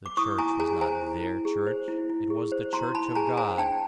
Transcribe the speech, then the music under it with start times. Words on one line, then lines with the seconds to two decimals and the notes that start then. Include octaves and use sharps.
The church was not their church--it was the church of God!
0.06 D6
0.17 E4 C#6 D#6
0.38 E4 G#5 A#5
0.60 G#4 G#5 A#5
0.81 C5 G#5 A#5
1.02 E4
1.23 E4
1.45 G#4
1.67 C5
1.88 E4
2.10 E4
2.30 G#4
2.52 C5
2.73 E4 A#5 C6
2.94 E4 A5 B5
3.15 G#4 G#5 A#5
3.37 C5 G#5 A#5
3.58 D4 G5 A5